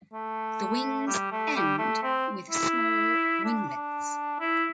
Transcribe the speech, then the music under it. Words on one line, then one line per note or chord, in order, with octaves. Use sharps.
The wings end with small winglets.
A3
G3
A3
G3
A3
C4
E4
D4
D4
E4